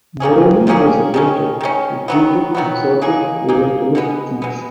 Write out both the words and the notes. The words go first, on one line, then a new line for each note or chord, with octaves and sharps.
Morelli was a painter who treated exotic orientalist themes.
D#3 A#3 C#4 G#4
D#3 A#3 C#4 G#4
D#3 G#3 C#4
D#3 G#3 C#4
D#3 F#3 B3
D#3 F#3 B3
A#3 D#4 G#4
A#3 D#4 G#4
B2 G#3 B3
B2 G#3 B3